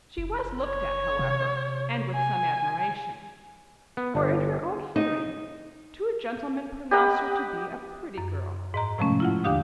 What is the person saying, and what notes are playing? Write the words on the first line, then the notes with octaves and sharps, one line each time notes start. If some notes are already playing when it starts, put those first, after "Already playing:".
She was looked at, however, and with some admiration; for, in her own hearing, two gentlemen pronounced her to be a pretty girl.
F#1
C#5
C3
G#5
B3
G1
D#4
G4 D#5 F#5 B5
F#2
G#2 D#5 A#5
A2 C3 F3 G#3 A3 C#4
E4 F4 F#5
D#2 D3 D4 G4 F5 D#6